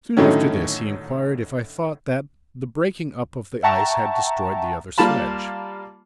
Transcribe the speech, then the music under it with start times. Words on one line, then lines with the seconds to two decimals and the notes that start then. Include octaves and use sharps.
Soon after this he inquired if I thought that the breaking up of the ice had destroyed the other sledge.
0.17 A2 D3 D#3 F#3 C#4
3.63 E5 F#5 G5 A5 A#5 C#6
4.98 G3 A#3 F4 A5 B5